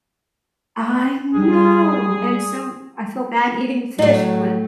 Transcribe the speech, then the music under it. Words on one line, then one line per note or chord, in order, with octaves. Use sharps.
I know, and so I feel bad eating fish, but
G3 G#4
A2 F#3 A3